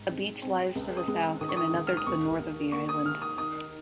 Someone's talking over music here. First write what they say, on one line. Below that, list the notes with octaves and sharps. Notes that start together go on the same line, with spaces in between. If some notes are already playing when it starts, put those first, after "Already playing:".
A beach lies to the south, and another to the north of the island.
Already playing: G#2
C4
C4
C#2
D#6
G#3
D#3 D#6
C#6
D#6
D#3
F6
D#6
D#2 C#6
D#2
A#3 C#6
D#6
D#3 F6
D#6
D#4 D#6